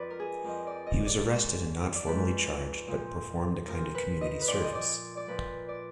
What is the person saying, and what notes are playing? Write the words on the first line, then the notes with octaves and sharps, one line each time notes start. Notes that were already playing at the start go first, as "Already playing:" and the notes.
He was arrested and not formally charged, but performed a kind of community service.
Already playing: F2 F3 B4 D5
A#4
G#4
F2 F3 D#5
D5
D#5
D5
G#2 F3
D5
G#2 F3 B4
A#2 F3
A#2 F3 A#4
B4
D#5
B4
A#2 F3 D5
D#5
D5
D5
A#2 F3 B4
D5